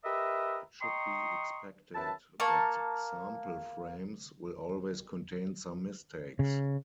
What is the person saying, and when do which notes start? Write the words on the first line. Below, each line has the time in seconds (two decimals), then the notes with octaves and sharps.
It should be expected that sample frames, will always contain some mistakes.
0.04 G4 A#4 B4 D#5 E5
0.81 D#5 G5 A#5 C6 C#6 D#6
1.95 F#2 B4 E5 A5
2.40 A#3 F5 A5 C#6
6.39 C#3